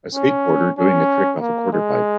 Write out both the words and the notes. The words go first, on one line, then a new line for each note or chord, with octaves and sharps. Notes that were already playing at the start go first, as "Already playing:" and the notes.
A skateboarder doing a trick off a quarter pipe.
C#4
C#4
A#3
G#3